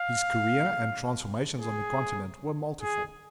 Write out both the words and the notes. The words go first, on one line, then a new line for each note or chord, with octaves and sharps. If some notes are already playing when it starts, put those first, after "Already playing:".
His career and transformations on the Continent were multiform.
Already playing: F5
G#4
G#4